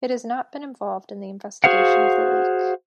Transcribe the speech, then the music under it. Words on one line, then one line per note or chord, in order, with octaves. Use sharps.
It has not been involved in the investigation of the leak.
F#4 G#4 C5 F5 F#5